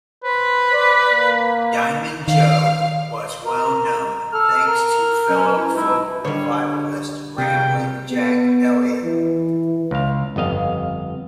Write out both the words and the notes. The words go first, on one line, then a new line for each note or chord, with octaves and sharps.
"Diamond Joe" was well-known thanks to fellow folk revivalist Ramblin' Jack Elliott.
B4 C5
D5
A#3
D#3 F5
A#4
A4 F6
A#4
F#3 C#4
C#4 E4
G#3 D#4 E4
D3 G3 C#5
C3 F4 G#4 A#4 G5
B3
E3
C#2 F5
G1 F2 D#5 F5